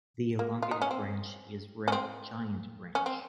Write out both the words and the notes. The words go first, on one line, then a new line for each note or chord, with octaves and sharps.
The elongated branch is Red giant branch.
A#3
F4
D#4
C#4
C4
C#4
C4
C#4
C4